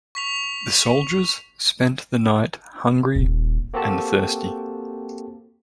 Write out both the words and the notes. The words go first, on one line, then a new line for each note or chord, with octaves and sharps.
The soldiers spent the night hungry and thirsty.
C#6 B6 F7
D#1
A#3 C4 F#4 G4 A4 A5